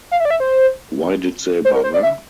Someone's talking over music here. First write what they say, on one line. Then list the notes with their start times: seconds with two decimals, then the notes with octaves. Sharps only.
Why did they bother?
0.11 F5
0.20 E5
0.25 D5
0.30 E5
0.40 C5
1.65 C5
1.75 A#4
1.84 C5
1.94 D5
2.03 E5